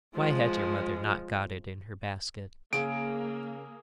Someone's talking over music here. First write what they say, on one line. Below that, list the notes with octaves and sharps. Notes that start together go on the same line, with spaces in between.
Why had your mother not got it in her basket?'
F3 G#3
C#3 A#3 G#4 E6 D7